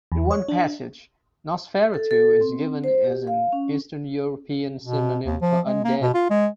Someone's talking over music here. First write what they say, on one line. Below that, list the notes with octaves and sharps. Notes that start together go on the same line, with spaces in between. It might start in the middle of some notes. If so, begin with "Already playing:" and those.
In one passage, "nosferatu" is given as an "Eastern European" synonym for "un-dead".
E2
C#5
D4
A4
A4
C4
C5
G4
F5
C#4
B2
D#2
F3
G#3
A#3
B2
F4
G#3